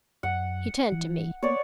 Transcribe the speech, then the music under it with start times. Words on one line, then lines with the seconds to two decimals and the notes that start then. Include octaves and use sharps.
He turned to me.
0.23 F#2 F#5
0.92 E3
1.43 A#3 B3 C#5 D5